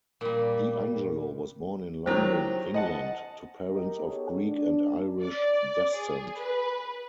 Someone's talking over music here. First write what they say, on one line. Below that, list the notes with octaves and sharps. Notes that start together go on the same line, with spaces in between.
Di Angelo was born in London, England, to parents of Greek and Irish descent.
A#2 G3
D#3 F#3 D4 E4 G4 C5
D#5 F#5 A5
D#4 G4 A#4 D#5
B3 G#4 A4 C#5
D4
D5
G#4
B4